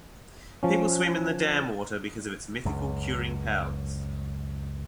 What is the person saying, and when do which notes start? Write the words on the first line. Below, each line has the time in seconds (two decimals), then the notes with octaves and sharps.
People swim in the dam water because of its mythical curing powers.
0.63 F3 C#4
2.65 C#2 F#2